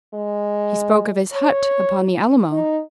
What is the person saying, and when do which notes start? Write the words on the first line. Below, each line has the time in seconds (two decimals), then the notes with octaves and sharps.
He spoke of his hut upon the Alamo.
0.14 G#3
1.33 C#5
2.52 D#4